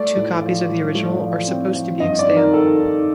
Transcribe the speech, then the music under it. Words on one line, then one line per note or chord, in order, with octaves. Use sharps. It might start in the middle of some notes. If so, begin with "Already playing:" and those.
Two copies of the original are supposed to be extant.
Already playing: A3 D5
A2
F3
A2
A3
F3
C4
F3
G2 D#5
D5
D#3
A#4
D#3 A4
D#3